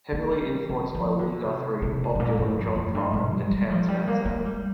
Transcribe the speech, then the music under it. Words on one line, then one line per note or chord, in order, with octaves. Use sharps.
Heavily influenced by Woody Guthrie, Bob Dylan, John Prine, and Townes Van Zandt.
A#3
G3
D3
F3
D3
C3
C3
G2
A#2
G2
F2
F2
G2
A#2
G3
G3
F3
G3
A#3
A#3
G3